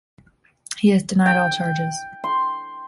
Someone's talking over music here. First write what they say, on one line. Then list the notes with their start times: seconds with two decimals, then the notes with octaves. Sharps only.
He has denied all charges.
1.26 G5
2.24 C6